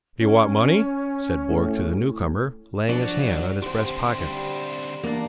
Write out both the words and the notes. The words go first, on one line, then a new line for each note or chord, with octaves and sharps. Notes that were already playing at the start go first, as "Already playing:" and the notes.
"Do you want money?" said Borg to the newcomer, laying his hand on his breast-pocket.
C#4
A2
F3 F#3 D4 D5
D3 C4 G4 C5
G3
E2 A#3 D4